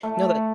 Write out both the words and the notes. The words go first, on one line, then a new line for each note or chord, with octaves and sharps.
No, that
A3